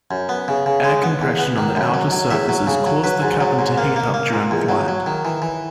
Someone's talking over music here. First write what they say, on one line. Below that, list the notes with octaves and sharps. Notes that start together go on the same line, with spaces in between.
Air compression on the outer surfaces caused the cabin to heat up during flight.
F#2
B3
C#3
C#3
G#3
B3
E2
B3
D#3
F#2
F#3
F#3
E2 E5
F#3
C#3
F#3
F#3 B4
G#2
F#3
G#2
A#3
A#3
A#3
A#2
E2
F#3
F#3
D#3
E3
E3